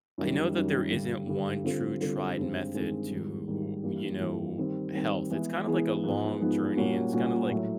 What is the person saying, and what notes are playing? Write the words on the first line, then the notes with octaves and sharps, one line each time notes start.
I know that there isn't one true tried method to, you know, health. It's kinda like a long journey and it's kinda like
F#2 D#3 G3
F#2 D#3 G3
G2 D3 G3
G2 D3 G3
D3 G3 C4 F4 A4
D3 G3 C4 F4 A4
G2 D#3 G#3 C4
G2 D#3 G#3 C4
G#2 D#3 G3
G#2 D#3 G3
G2 E3 G3 A#3
G2 E3 G3 A#3
D#3 G3 C4
D#3 G3 C4
E3 G#3 B3 E4 G#4
E3 G#3 B3 E4 G#4
G#2 F3 G#3 B3 D#4
G#2 F3 G#3 B3 D#4
A#2 G3 A#3 C#4 F#4
A#2 G3 A#3 C#4 F#4
A2 F#3 A3